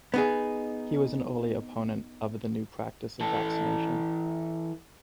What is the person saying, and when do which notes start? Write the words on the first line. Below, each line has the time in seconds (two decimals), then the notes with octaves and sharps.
He was an early opponent of the new practice of vaccination.
0.14 B3 D#4 G#4
3.20 E3 A4